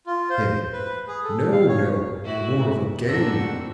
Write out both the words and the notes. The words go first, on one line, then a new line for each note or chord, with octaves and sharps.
HIM: No, no. More of a gain.
F4
C5
B4
G#4
A4
F5
C#5
A2 E4 F#4
G#2 A3 A#3 C4 D4 F#4 E6 A#6